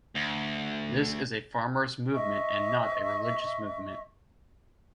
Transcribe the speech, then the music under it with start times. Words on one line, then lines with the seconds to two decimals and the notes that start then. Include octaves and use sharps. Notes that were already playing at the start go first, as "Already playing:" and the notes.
This is a farmers' movement and not a religious movement.
0.15 D2
2.14 D#5 E5 C#6